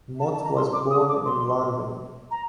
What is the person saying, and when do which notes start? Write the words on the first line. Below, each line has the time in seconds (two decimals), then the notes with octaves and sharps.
Mote was born in London.
0.20 A5
0.32 A5
0.43 A#5
0.56 C6
0.73 D6
0.90 D#6
1.08 D6
1.26 C6
2.31 A#5